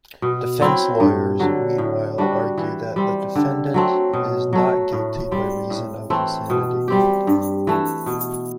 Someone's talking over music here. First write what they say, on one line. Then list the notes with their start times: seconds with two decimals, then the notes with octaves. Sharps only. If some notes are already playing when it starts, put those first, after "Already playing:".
Defense lawyers, meanwhile, argue that the defendant is not guilty by reason of insanity.
0.22 B2
0.61 F#3 C4 E4
1.00 G2
1.40 D3 F#3
1.78 A2
2.18 G3 D4 F#4
2.58 E3
2.96 G3 C4
3.36 D3
3.74 F#3 A3 C4
4.13 B2
4.53 F#3 A3
4.93 A2
5.31 G3 C4
5.70 A2
6.10 E3 A3 C4
6.50 B2
6.88 G3 C4 G4
7.27 G2
7.67 E3 A3
8.06 B2